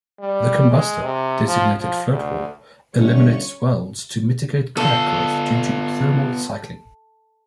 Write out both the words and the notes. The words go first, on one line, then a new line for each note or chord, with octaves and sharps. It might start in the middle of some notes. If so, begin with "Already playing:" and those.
The combustor, designated Floatwall, eliminates welds to mitigate crack growth due to thermal cycling.
G3
G#3
C3
F3
F3
D2
G1 C#4 C#6
B3 F4 A4